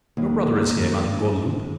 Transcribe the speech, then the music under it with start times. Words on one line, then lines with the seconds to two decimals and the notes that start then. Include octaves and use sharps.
"Your brother is here, Madam Gordeloup."
0.17 D#2
0.56 D#2